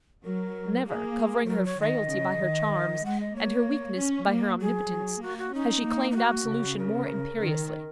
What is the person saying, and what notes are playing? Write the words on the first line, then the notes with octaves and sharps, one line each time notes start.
Never, covering her frailty by her charms, and her weakness by her omnipotence, has she claimed absolution more imperiously.
F#3 A#4
A#3 G#4
C#5
F#3 A#4
C#5
D#3 D#5
C#3
D#3
G#3 F#5
D#5
A#3 C#5
C#4
A#3
F#3 G#4
F#3
A#3 F#4
F#4
C#4 D#4
A#3
D#4
F#4
C#3
A#4
D#3